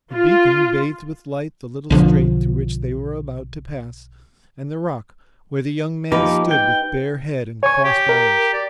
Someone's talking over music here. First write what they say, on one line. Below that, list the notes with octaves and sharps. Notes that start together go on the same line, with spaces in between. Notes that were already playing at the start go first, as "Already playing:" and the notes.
The beacon bathed with light the little strait through which they were about to pass and the rock where the young man stood with bare head and crossed arms.
F4
B1 D3 F3
F3 A#3 D#4 G4 A#4 B4
G5
C#5 G#5 C#6
G4
A#4
D5